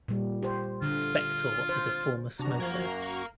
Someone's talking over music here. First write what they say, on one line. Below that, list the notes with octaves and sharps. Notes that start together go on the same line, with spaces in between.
Spektor is a former smoker.
A#2 G3
G4 C5
D3 F4
C5
F#2 C3 D4 F#4 A#5
F3 A#4 F5 G#6
C#6